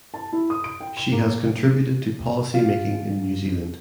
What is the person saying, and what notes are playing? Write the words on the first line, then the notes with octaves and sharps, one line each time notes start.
She has contributed to policy making in New Zealand.
A5
E4
D#6
D7
G5
E7
A#3
F4